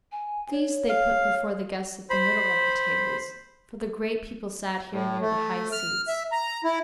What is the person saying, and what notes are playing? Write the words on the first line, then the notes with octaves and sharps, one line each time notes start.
These they put before the guests at the middle of the tables; for the great people sat here near the high seats.
G#5
C#5
F5
C5 B5
A2
A3
F6
E5
A#5
E4